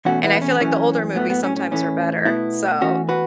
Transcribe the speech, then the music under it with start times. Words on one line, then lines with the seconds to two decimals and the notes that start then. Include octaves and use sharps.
and I feel like the older movies sometimes are better, so
0.05 E2 B2 A3 C#4 F#4
0.23 B3 E4
0.42 C#4
0.60 F#2 E3 A3 C#4
1.15 A2 F#3 A3 B3
1.30 B3
1.44 C#4
1.56 C#4
1.71 A2 E3 A3 C#4
2.25 B2 A3 B3 E4
2.81 E2 E3 A3 C#4 F#4
3.09 F#4 B4